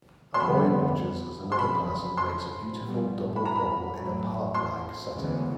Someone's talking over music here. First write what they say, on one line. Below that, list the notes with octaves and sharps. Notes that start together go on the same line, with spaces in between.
A boy watches as another person makes a beautiful double bubble in a parklike setting.
C6
F2 D3 G3 B3 B5
C6
F#1 F2 C#3 B5
C6
A#1 A#2 G3 B3
B5
A#5
B5
A1 A2 F#3
C6
D2 C#3 E3 G#3 B3